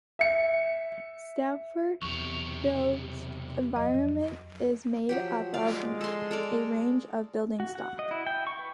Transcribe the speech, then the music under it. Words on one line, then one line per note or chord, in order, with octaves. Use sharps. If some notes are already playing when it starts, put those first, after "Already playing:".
Salford's built environment is made up of a range of building stock.
E5 C#7
B1 E2 C3 E3 C#6
F2 F#3 D#5
F3 F#3 G4
G#3 D5 F5
A4 C6
A4 A#4 D5
F#4
F#5
D#5
E4
G5
C#6
B4